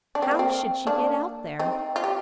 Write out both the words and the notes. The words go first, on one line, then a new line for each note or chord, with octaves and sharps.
How should she get out there?
D4
C4
A#3
C4
A#3 D4
C4 D#4
F4
G4